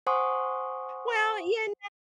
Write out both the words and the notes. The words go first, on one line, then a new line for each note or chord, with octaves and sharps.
Well, you
C5 F#5 G#5 C6 C#6 D#6